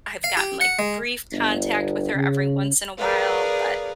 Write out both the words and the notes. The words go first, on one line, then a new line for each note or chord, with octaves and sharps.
I've gotten like, brief contact with her every once in a while, but
F5
G4
F#5
G#3
G1
C#3
G#4 A#4 B4 D5 F5